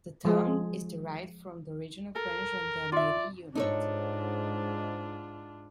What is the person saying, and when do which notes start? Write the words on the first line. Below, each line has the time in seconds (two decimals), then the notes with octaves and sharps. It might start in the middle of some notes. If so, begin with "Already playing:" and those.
The term is derived from the original French Gendarmerie unit.
0.25 F3 G#3 G#4
2.16 A4 A#4
2.92 F4 D5 E5
3.55 G#2 D4 D#4 F4 A4 C#5